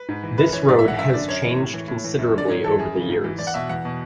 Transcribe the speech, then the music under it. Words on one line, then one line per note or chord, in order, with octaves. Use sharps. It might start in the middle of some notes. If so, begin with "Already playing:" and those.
This road has changed considerably over the years.
Already playing: B4
G#2
E3
F#2 B4
E3 C#5
G#2 D5
E5
E3 F#5
F#2 E5
D3 D5
F#2 C#5
E3
A2
E3
A2
E3
F#2
D3 D5
G#2 C#5
E3 A4
F#2 G#4
C#3 E3
G#2
E3
E2 D5
F#5
B2 E5
E2 F#5
B2